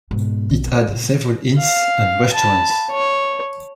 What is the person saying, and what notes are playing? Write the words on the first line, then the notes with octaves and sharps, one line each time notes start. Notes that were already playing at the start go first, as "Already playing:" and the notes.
It had several inns and restaurants.
G#2 B2
B1
D4
A#2 C#3
F5
A5 B5
C#5